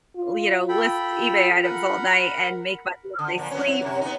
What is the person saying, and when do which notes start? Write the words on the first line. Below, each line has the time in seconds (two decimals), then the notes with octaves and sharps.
li know, list eBay items all night and make money while I sleep,
0.16 F4
0.69 F4 A4 G5 B5
1.63 A#4 F#5 B5
3.19 D3
3.38 A#2 F3
3.51 F#3 B3 C#4
3.67 E4
3.82 F#2 C3 C#5
4.01 B3 D#4